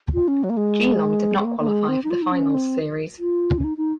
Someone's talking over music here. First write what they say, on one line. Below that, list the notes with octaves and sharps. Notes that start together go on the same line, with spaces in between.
Geelong did not qualify for the finals series.
F4
C#4
F#3
A#3
G#3
G#3
A#3
A#3
G#3
C4
D#4
F4
D#4
C#4
C4
F4
C#4
D#4
D#4